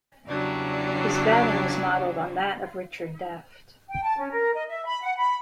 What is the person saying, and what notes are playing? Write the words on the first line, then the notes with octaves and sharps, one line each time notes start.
His batting was modelled on that of Richard Daft.
E2 C#3 F#3 G3 D4
G5
A5
C#4
A#4
D#5
E5
B5
F#5
B5